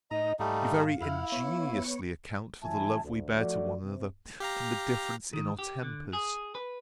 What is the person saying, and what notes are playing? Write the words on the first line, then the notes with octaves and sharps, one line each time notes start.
You very ingeniously account for the love we bear to one another, from the difference in our tempers.
A2 D#4 D#5 A#5 D#6
G#2 G3 A3 D#4 F5
F2 E4 F#5 F6
B3 C#5
C#2 E3 F#3 E5 G#5 A5
D2
F3 A3 F#4 D5
C3
G4 F5 A#5
D#3
G4
D3
G#4
B4